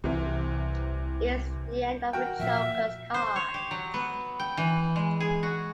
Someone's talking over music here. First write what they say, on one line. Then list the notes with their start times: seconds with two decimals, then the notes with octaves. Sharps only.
It's the end of the Joker's Cards.
0.04 C2 C3 E3
2.13 F#4 A#4 G5
2.40 A#2 F3 E5
3.14 C5
3.36 C#5
3.54 G4
3.71 F#3
3.94 B3
4.40 G5
4.57 E3
4.96 G#3
5.20 G#4
5.43 F#4